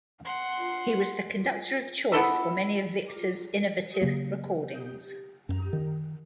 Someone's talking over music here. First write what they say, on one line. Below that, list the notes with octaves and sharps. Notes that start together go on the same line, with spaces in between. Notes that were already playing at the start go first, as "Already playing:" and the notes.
He was the conductor of choice for many of Victor's innovative recordings.
F#5 C6
B3 E4 A4 E5
C#3 F#3 A#3
F#2
D#3